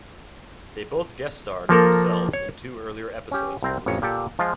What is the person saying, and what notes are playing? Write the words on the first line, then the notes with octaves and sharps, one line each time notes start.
They both guest starred as themselves in two earlier episodes from the season.
F3 A#3 A4 A#4
C#5
C#4 G4
C2 C4 A#5
A1 F2 C#5
A#2 G4 A4
F3 G#3 F4